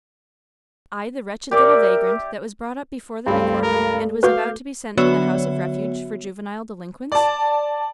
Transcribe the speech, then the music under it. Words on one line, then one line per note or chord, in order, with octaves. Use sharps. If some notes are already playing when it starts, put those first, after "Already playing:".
I, the wretched little vagrant that was brought up before the recorder and was about to be sent to the House of Refuge for juvenile delinquents?
G4 A#4 D5 E5
C#2 G2 A3 C4 A4
A#4
F#4 B4 F5 D6 G6
D3 F#3 B3 F#4 C#5 E5
D5 A5